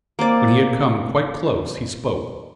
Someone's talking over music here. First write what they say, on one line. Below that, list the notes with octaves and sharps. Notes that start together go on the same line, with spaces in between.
When he had come quite close he spoke.
A#3 C4 D5